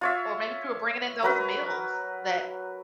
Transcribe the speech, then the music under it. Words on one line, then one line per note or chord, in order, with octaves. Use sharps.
Or maybe if you were bringing in those meals that
F4 C#5 E5
F#3 A#4 B4